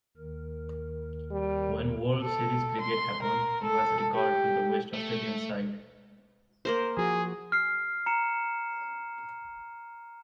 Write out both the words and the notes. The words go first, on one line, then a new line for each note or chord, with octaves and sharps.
When World Series Cricket happened he was recalled to the West Australian side.
D#2 D#3 A#4
G3
A4
C6
A#4
A4
G4
A3
A#3 A#4 C5
F3 F#4 G#4
F6 C7
A#5 C#7 E7